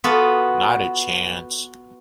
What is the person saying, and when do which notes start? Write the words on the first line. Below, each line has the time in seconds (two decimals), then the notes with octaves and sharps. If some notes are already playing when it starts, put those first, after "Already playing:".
Not a chance.
0.04 B3 F4 F#4 A4 D#5